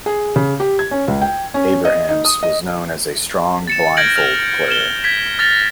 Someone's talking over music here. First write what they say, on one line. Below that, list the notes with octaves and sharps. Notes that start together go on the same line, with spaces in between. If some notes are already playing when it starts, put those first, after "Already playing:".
Abrahams was known as a strong blindfold player.
G#4
C#3
G4
G#6
C#4
C#2
G5
C#4
D#5
D#4
D#6
D#5
A6 C#7 E7
F6 G6 G#6 A#6 D7 F#7
F6 F7
F6 G#6 E7 G7
G#6 B6
F6 A6 A#6 F7